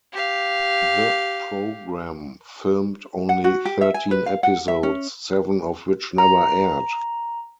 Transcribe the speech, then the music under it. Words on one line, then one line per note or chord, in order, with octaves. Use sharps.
The program filmed only thirteen episodes, seven of which never aired.
G4 F5
F#5
F#4
G4
E5
G#5
B4
F5
F#5
E5
C#4
A#5